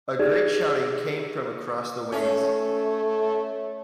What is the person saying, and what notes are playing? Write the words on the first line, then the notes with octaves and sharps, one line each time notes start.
A great shouting came from across the ways.
D#4 G4 G#4 D5 G#6
A3 C#4